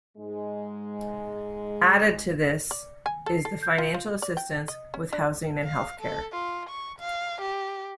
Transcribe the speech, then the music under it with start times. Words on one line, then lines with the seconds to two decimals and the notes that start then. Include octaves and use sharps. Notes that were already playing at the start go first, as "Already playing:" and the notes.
Added to this is the financial assistance with housing and health care.
0.17 G#2 G#3
2.71 D5
3.06 G#5
3.26 A4
3.45 A4
3.78 F4
3.94 F4
4.22 D5
4.37 G5
4.68 D#5
4.94 C#4
5.13 D4
5.64 F5
6.01 A4
6.32 F4
6.70 C#6
6.99 F5
7.41 G4